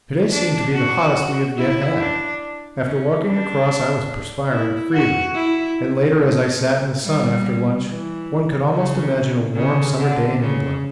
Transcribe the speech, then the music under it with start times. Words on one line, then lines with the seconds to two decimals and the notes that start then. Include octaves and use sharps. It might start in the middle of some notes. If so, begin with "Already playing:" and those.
To-day seemed to be the hottest we have yet had; after walking across I was perspiring freely, and later as I sat in the sun after lunch one could almost imagine a warm summer day in England.
0.31 D4
0.73 F#4
1.57 E4
1.99 D4
2.83 C#4
3.25 D4
4.51 E4
4.93 F#4
5.35 E4
6.19 A3
7.04 G3
7.87 E3
8.71 C#3
9.55 C#3
9.97 D3
10.39 C#3